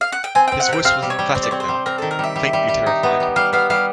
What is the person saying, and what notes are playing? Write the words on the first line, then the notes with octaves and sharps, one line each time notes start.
His voice was emphatic now, faintly terrified.
F5
F#5
G5
C4 G#5
C4 G5
F#5
C3 G5
C4 F5
G3
C#5
G3
C4 C#5
D5
C4 C#5
C5
G3
C4 A#4
D#3 A4
A#4
G3 E5
G3
G3
G3
D#4
B3
G3
G3 F5
B3 F5
G3 F5